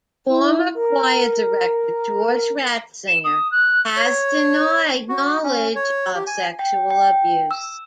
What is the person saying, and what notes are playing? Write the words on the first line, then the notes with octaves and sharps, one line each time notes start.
Former choir director Georg Ratzinger has denied knowledge of sexual abuse.
E4
A#4
E7
D#6
F#6
C#5
F#4
C#4
C#5
G4
G#5
G5
G5
E6